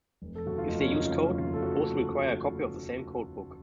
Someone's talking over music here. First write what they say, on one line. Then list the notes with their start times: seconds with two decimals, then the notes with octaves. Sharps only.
If they use a code, both will require a copy of the same codebook.
0.22 F1
0.35 A4
0.46 D#2 C#3 A3 F#4
0.58 F4
0.69 F1 D#4
0.80 C#4
0.92 D#2 C#3 A3 D#4
1.05 F4
1.15 F1 D#4
1.39 D#2 C#3 A3 F4
1.54 A4
1.62 F1 F#4